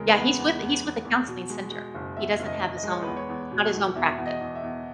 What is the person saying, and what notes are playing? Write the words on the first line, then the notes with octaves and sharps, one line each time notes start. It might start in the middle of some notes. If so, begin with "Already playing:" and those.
Yeah, he's with he's with a counseling center. He doesn't have his own he's not his own practice.
Already playing: E2 C#3 G#3 A#4
B4
E2
E2
E2
E2
E2
B2
G#3
G#3
F#1
E2 E5
F#1
D#5
F#1
D#5
G#3
C#5
E2 B4
C#5
E2
B2
E2
E2 E5
E2
D#5
E2
E5
E2